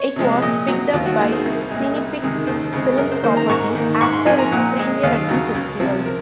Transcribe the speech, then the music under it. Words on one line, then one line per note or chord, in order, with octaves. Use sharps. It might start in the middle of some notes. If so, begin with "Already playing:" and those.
It was picked up by Cinepix Film Properties after its premiere at the Festival.
Already playing: C#5
C3 F3 G#3
A#2 D#5
F#3 C4
D#2 F4
F#4
D#3 A#3 G#4
C5
C2
A#2 G#3
C2
C3 D#3 G#3
D#2 C5
C#3 G#3 C4
F#2 A#4
C5
D#3 A#3 C5
A#5
G#2 C#6
D#3 A#3
G#2 C#6
C6
F3 C4 G#5
A#5
A#2 F#5
G#3 C4
D#2 F5
C#3 F#3
C#2
C3 F3 C4
A#4